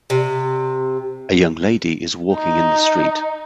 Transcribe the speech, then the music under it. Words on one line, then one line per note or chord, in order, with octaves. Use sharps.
A young lady is walking in the street.
C3
D#4